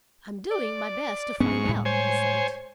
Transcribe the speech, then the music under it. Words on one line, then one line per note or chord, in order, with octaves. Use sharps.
"I'm doing my best to find out," I said.
D5
G#2 B3 C#4 C#6
A2 G3 G#3
C5 C#5 G#5